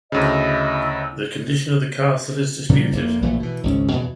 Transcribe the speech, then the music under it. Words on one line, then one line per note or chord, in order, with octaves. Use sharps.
The condition of the castle is disputed.
D2 C#3 E4 D#5 E6
A#2 C#3 F#3 G3
F1 A#3
A#1 A#2 E3 A3
B2 E3
G#1 C#2 C#4
E2 B2 E3